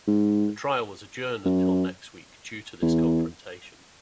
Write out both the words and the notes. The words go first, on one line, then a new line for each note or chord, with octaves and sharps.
The trial was adjourned until next week due this confrontation.
G#2
F#2
E2